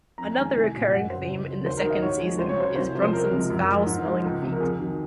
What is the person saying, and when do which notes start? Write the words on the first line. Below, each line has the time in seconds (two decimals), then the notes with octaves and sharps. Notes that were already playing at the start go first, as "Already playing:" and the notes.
Another recurring theme in the second season is Bronson's foul-smelling feet.
0.18 F2 A#5
0.31 A#5
0.37 D#3 G#3
0.43 G#5
0.55 C2
0.74 A#2 F#3
0.92 F#2 F#5
1.10 C#3 F#3 C5
1.29 C#2
1.47 C#3 F#3
1.66 D#2 C5
1.77 A#4
1.84 D#3 F#3
1.90 D#5
2.02 G#2 C#5
2.21 F3 G#3
2.39 C#2 C5
2.49 C#5
2.57 C#3 F#3 C5
2.76 C2 C5
2.95 C3 F3
3.02 C5
3.13 C#2 A#4
3.31 C3 F3 G#3
3.50 F#2
3.68 F3 G#3
3.86 G#2
4.05 F3 G#3
4.24 C#2
4.42 C3 F3
4.52 A#4
4.60 F2 G#4
4.79 D#3 F#3